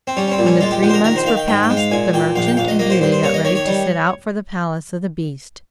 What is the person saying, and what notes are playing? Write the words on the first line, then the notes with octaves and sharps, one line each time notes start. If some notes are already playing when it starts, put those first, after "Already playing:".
When the three months were past, the merchant and Beauty got ready to set out for the palace of the beast.
C4
G3 C#4
C#4
C4
A#2
C#4
G#3 F4
G4
A#1 G4
C5
A#4
D#3 A#4
C5
D#3 F5
G5
G#2 G5
G5
G#3
F5
A#2 G#5
A#2 G5
A#1 F5
G5
A#1 F5
D#5
A#3 D#5
C5
G2 C5
C5
A#3 C#5
D#5
D#3 C#5
C#5
G3